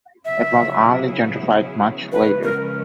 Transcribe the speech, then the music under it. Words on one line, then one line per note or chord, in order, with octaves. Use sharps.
It was only gentrified much later.
C#3 F#3 B3 E4 G#4 E5
C#3 F3 G#3 C#4 B4
A#4